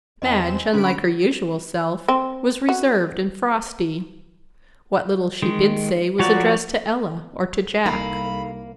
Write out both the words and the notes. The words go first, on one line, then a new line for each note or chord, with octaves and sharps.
Madge, unlike her usual self, was reserved and frosty; what little she did say was addressed to Ella or to Jack.
E2 C4 D#5 G#5 E7
D3 C#4 D4 B5 D7
C4
F#4
D#3 G#3
A#2 F3 F#4 C#5 D5
C2 A#3 D#4 A4 F5 B5